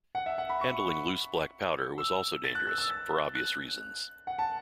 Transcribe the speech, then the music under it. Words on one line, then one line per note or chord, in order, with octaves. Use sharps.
Handling loose black powder was also dangerous, for obvious reasons.
F#5
E5
F#5
B5
C#6
E6
A6
F#6
E6
E6
A6
F#6
F#5
A5